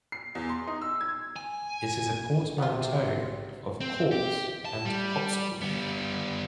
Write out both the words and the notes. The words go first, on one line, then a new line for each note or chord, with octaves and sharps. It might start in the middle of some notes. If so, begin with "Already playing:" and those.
It is a portmanteau of "corpse" and "popsicle".
C7
E2
C6
D#4
E6
G#6
G#5
C3 B3 F4
C4
G4
A5
G3
G3 B3